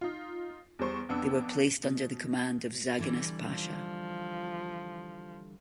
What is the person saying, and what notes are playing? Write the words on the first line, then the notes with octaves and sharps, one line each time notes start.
They were placed under the command of Zaganos Pasha.
D#4 F4
E2 G3 C5 C#6
F2 B3 D4 E6
B2
D3 E3 G3
F3